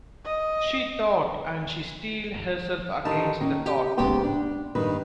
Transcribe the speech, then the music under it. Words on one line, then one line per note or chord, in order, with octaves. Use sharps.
She thought; and she steeled herself against the thought.
D#5
D3 D#3 D#4 G4 A5
D#3 C#4
G4
G#2 C#3 B3 G4 C5 G5
D4
G2 D#3 B4